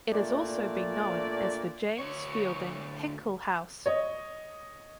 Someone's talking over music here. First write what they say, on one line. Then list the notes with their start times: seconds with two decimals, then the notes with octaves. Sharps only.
It has also been known as the James Fielding Hinkle House.
0.11 A#2 A3 D4 D5
1.99 D2 C#5
3.86 C#5 D#5